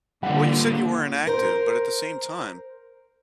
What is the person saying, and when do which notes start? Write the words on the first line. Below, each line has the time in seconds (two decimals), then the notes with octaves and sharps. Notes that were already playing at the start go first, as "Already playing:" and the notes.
Well, you said you were inactive, but at the same time,
0.23 D3 G3 A#3 F4 F#5
1.27 A#4 C5